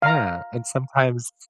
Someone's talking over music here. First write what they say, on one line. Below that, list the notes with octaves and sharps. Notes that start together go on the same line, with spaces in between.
Yeah, and sometimes
F5 A#5